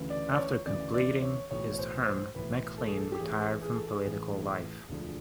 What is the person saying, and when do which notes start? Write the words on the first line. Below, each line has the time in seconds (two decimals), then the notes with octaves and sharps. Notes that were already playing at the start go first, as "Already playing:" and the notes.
After completing his term, McLean retired from political life.
Already playing: D2 C#3 E3
0.10 D5
0.32 D5
0.38 C#5
0.66 D2 C#3 E3 D5
0.94 D5
1.22 C#5
1.51 B1 A2 E3 C#5
1.74 C#5
1.79 C5
2.06 C5
2.35 B1 A2 E3 B4
2.77 A4
2.87 G#4
2.97 A4
3.12 G4
3.19 A1 A2 E3 G#4
3.62 G#4
3.75 A4
3.88 G#4
4.04 A1 A2 E3
4.89 E1 D2 D3 F3